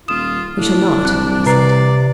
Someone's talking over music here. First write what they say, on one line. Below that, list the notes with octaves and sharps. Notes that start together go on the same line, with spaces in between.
"We shall not," he said.
D#1 F4 D#6 E7
A2 D4
C2 F#6
C3 B4 D5 A#5 C7